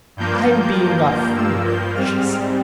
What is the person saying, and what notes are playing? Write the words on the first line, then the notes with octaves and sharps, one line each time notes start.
"I'm being a fool," she said.
G2 F3 A#3 G6
G6
G6
E6
G6
G#2 G3 C4 F6